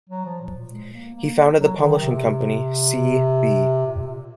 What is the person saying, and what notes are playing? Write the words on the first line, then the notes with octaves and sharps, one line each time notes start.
He founded the publishing company C. B.
F#3
F3
A#2
A#2
G#3
A#3
A#3
F#3
D#3
C3
A#2
C3
A#2